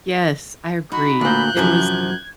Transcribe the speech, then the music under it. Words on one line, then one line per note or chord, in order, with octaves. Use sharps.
Yes, I agree. It was m
D#4 F#4 B5
D2 A#2 F#6 G6
F#2 C3 E3 F3 G#6